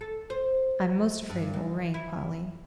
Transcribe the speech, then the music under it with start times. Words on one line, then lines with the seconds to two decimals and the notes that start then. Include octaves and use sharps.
"I'm most afraid it will rain, Polly."
0.01 A4
0.30 C5
1.29 G2
1.54 D#2
1.94 E4